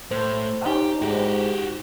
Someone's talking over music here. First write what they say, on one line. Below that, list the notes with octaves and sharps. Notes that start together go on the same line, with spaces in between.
Oh, cool.
A2 C5
D#4 G4
G#2 F#4 G4